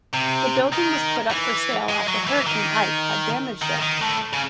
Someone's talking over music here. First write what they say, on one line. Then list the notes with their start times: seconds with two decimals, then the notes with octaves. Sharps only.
The building was put up for sale after Hurricane Ike had damaged it.
0.14 C3
0.72 D#3
1.31 E3
1.89 G#3
2.07 F#3
2.27 E3
2.47 D#3
3.62 D#3
3.82 D#3
4.02 A2
4.33 C#3